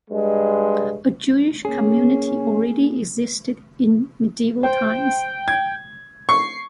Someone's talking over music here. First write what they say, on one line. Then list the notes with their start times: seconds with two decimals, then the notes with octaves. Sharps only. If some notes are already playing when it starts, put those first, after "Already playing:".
A Jewish community already existed in medieval times.
0.11 G2 G#3
1.65 A#3 C#4 G#4
4.63 C5 G5
5.48 G#6
6.29 C#6 C7